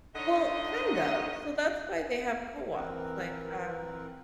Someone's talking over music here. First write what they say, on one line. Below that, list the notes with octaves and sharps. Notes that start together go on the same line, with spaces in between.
Well, kind of. So that's why they have co-ops, like, um,
D3 D#4 C#5 D#5
E3 C4 A#4 B4